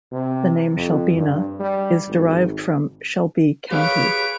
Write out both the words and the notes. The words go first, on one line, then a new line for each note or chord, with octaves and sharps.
The name "Shelbina" is derived from Shelby County.
C3
F2
G2
G3
G#1
G4 G#4 B4 C#5 F5 D7